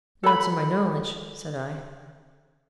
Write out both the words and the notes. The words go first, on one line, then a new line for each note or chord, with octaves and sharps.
"Not to my knowledge!" said I.
A4 B5